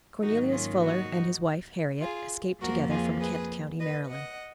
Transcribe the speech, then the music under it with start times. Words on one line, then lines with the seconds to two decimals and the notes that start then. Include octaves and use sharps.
Cornelius Fuller, and his wife, Harriet, escaped together from Kent county, Maryland.
0.22 G#2 D#3 F#3 A#3 D#4 F#4
0.52 C#4 F4
0.82 D#4 F#4
2.01 F4 G#4
2.61 F2 F3 A#3 F#4 A#4
2.90 F4 G#4
3.20 G#4 B4
3.80 B4 D#5
4.09 D#5 F#5